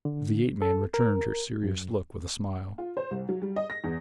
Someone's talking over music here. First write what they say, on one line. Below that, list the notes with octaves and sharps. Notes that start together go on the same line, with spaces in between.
The ape-man returned her serious look with a smile.
D3
A4
A#4
F#2
F4
C5
C2
F#3
G3
D#5
A#6
E2